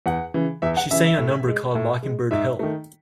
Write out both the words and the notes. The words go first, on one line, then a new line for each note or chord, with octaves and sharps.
She sang a number called "Mockingbird Hill".
E2 F#5
C#3 E3
E2 E5
F#5
C#3 E3 E5
E5
A2
G#3
A2
G#3
G#2 E5
D#3 A3